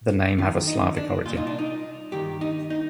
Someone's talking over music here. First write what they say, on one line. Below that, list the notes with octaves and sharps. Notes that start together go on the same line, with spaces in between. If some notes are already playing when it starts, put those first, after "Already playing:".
The name have a Slavic origin.
F2 D#3 F4
D#4
D4
C2 A#2 F4
D#4
D4
D#4
G2 D#3 G4
D#4
D#4